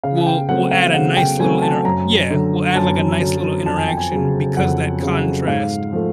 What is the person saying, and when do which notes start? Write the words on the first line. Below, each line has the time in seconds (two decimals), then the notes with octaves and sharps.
will will add a nice little inter Yeah. Will add, like, a nice little interaction because that contrast
0.03 C#3 F5
0.27 G5
0.49 F#3 A3 C4 F#5
0.71 F5
0.94 C#3 F#5
1.17 G5
1.39 F#3 A3 C4 G#5
1.62 A5
1.85 F#2 A#5
2.30 D3 F#3
2.75 F#2 A5
3.21 D3 F#3
3.66 F2 A5
3.77 G#5
3.88 G5
3.97 G#5
4.12 C#3 F#3
4.57 F2 F#5
5.02 C#3 F#3
5.48 G#2 F5
5.93 F3 A3